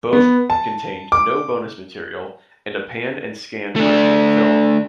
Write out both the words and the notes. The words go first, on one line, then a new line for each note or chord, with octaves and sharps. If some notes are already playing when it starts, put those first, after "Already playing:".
Both contained no bonus material and a pan and scan version of the film.
B3
A5
D6
A3 D4